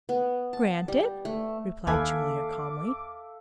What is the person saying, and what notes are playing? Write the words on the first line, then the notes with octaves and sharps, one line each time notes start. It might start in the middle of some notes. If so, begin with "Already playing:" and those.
"Granted," replied Julia calmly.
B3
A5
G3
A3
D#2 A4 B4 E5 F5 G#5 D6